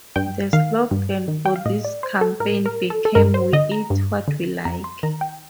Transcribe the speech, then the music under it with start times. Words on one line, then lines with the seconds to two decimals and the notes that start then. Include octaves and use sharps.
The slogan for this campaign became "We eat what we like".
0.16 G2 G5
0.53 D#3 F5
0.91 G2
1.28 D#3
1.46 G5
1.56 F5
1.66 A2 D#5
1.85 D5
2.03 C5
2.21 A4
2.40 A2 A#4
2.66 A#4
2.90 A4
3.05 A4
3.15 G2 A#4
3.34 C5
3.53 D3 D#5
3.72 A#5
3.90 G2
4.28 D3
4.65 F2 A#5
4.84 C6
5.03 D#3 A#5
5.21 G5